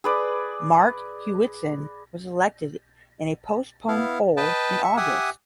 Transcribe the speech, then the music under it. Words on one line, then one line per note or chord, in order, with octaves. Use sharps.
Mark Hewitson was elected in a postponed poll in August.
G#4 B4 D5
B3 E4 F5
B4 D#5 G5 A5
E5 C#6
G4 E5 F#5 G#5 D#6